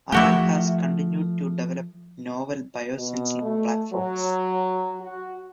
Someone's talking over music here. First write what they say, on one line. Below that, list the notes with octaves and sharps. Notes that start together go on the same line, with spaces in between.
Aran has continued to develop novel biosensing platforms.
F3 A3 E4 F#4 G4
B2
A3
F#3
F#4